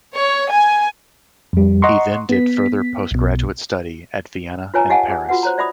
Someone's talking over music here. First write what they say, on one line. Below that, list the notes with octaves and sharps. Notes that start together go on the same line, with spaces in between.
He then did further postgraduate study at Vienna and Paris.
C#5
G#5
F2 G3
D#5 F#5 A#5 C6 C#6
B3 B6
B1 B2
F4 B4 C#5 G#5 A#5
G4 D#5 F5 F#5 G#5 A5
G#4
F4 F#4 B4 F#5
C5 C#5 A#5
D5 E5 B5 D#6